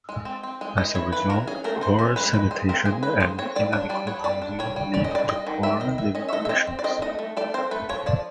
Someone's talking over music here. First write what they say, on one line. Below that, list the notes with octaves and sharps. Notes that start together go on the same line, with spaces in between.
As a result, poor sanitation and inadequate housing lead to poor living conditions.
G#3
C4
C4
G#3
E3 D#5
E4 C#5
E3 B4
E3 A#4
C#4 G#4
A3 A#4
E3 C5
C#4 C5
G#3 B4
G#3 B4
G#3 C5
C4 A#4
G#3 G#4
G#3 B4
G#3 C5
C4 C#5
G3 D5
D4 C#5
G3 D5
B3 C#5
G3 D5
D4
G3 C#5
G3
C#4 D5
D#5
G3 D5
G3 D#5
D#3
G3 E5
D#3 D#5
D#3 E5
C#4 D#5
E5
A3 D#5
E5
C4 D#5
C4
D5
C4 D#5
A3 D#5
A3
A3 D5
C4 C5
A3 B4
F3 C#5
F3 D5